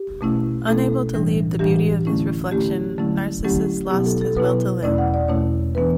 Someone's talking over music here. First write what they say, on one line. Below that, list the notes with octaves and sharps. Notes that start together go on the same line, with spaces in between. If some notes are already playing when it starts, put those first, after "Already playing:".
Unable to leave the beauty of his reflection, Narcissus lost his will to live.
Already playing: G4
B2 A3 C#4 E4
B2 A3 C#4 E4 A4
A2 E3 G3 D4
A2 E3 G3 D4 G4
D3 A3 C#4 E4
D3 A3 C#4 E4 G4
D3 F#3 A3 C#4 E4
D3 F#3 A3 C#4 E4 G4
B2 F#3 B3 E4 G4
A4
A4
B2 F#3 B3 E4 B4
E2 B2 A3 C#4 E4 D5
F#5
D5
E2 B2 A3 C#4 E4 C#5
E3 B3 D4 B4